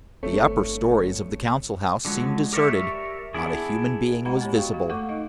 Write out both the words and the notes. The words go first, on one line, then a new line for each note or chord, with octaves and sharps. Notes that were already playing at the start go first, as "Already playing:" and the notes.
The upper storeys of the Council House seemed deserted, not a human being was visible.
G1 A3 C4 C#5
D3 F3 F#3 G#3
G4 A#4 C#5 D5 E5
B3 D4 E4 G#4
G#3 E4 D#5 F#5 A#5 B5
B3 G4 C#5
F#4 F5 G5 C#6
F#4
A3 A4 F#5 C#6 D6
D#4 D#5